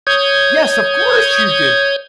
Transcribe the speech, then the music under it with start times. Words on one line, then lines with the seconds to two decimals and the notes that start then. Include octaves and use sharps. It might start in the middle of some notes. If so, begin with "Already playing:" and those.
'Yes, of course you did!
0.07 C#5 D#6 G6 G#6